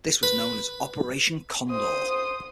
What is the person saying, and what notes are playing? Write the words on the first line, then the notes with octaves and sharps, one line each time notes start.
This was known as Operation Condor.
B4
C5 D#6